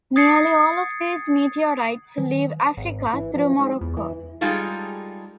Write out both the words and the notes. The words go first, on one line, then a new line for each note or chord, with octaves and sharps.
Nearly all of these meteorites leave Africa through Morocco.
D#6 G#6 A6 C7 C#7
D#3
G#1
E3
F3
G#2
E2
E3
G3 G#3 D#4 F4 G#4 A4